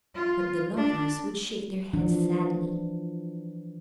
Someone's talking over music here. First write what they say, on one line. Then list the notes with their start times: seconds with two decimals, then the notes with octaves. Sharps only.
But the lovers would shake their heads sadly.
0.15 F4
0.77 D4
1.93 E3 F3 D4